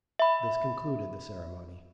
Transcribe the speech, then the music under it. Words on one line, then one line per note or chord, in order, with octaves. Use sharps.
This concluded the ceremony.
E5 B5